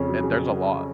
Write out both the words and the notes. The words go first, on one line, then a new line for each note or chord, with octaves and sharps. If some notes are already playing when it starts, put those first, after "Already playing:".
Eh, there's a lot.
Already playing: F2 C#3 C#4
F#3
C#3